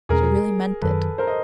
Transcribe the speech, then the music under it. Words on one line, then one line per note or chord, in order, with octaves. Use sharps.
She really meant it.
E2 B2 G#3 C#4 G#4 A#4
F#2 D#3 F#3 A4 B4
A#4 C5
D#5